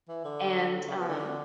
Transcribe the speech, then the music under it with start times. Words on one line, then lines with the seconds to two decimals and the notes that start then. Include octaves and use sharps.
and, um,
0.08 E3
0.24 D3
0.87 C#3
0.97 B3
1.09 D3
1.19 D3